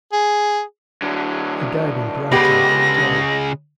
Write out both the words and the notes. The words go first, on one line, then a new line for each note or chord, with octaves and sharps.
He died in Brighton, Victoria.
G#4
D3 F#3
C#3 G#3 B3 G4 A#6